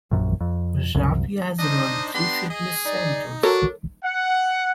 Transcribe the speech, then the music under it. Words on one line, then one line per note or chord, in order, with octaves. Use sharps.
Zappia has run three fitness centres.
A#1 F#2
F2
C2 F#2
D4 D#4 C5 D#5
B3 D4 G4 C6
G#4 D#5
D#4 D5
D4 F#4 A4 A#4 C#5
F#5